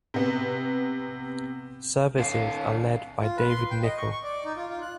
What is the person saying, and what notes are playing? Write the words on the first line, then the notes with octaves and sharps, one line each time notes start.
Services are led by David Nicoll.
C3 B3
D3 F5
F4
B4
C6
G5
D#5
C#6
C#6
D5
D#4
F4
F4
F#6